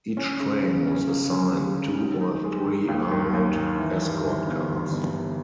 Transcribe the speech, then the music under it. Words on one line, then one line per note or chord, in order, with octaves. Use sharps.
Each train was assigned two or three armored escort cars.
C#4
C#3
C#3
C#3
C#2
C#4
G3
G3
D#4
D#4
G#3
D#3
D#2
D#3
D#2
D#3
E3
G2
E3
G1
G2
G1
G1